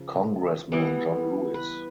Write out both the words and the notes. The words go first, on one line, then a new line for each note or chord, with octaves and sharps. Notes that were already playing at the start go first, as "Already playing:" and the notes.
Congressman John Lewis.
Already playing: C#3 F3
E3 G3 B3
B4